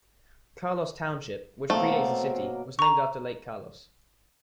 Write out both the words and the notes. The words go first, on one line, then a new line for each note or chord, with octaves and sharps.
Carlos Township, which predates the city, was named after Lake Carlos.
B2 F#3 A3 A#3 C4
A#5 C#6